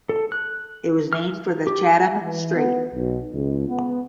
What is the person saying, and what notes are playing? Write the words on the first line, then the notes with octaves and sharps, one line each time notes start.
It was named for the Chatham Strait.
A4
F#6
F6
G4
E3
B3
B1
C#2
B3